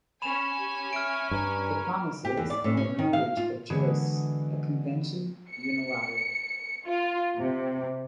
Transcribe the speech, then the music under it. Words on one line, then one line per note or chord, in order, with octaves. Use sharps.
The promise is, in the language of jurists, a convention unilateral.
C#4 G#5 B5 E7 F7
G4
E5 F6 D7
G2 A#5
G4
E2
D5
A2
C#4
D#3
F5
F4
D3 E3 G#3 B3 F#4 G#4
C#7
F4
C3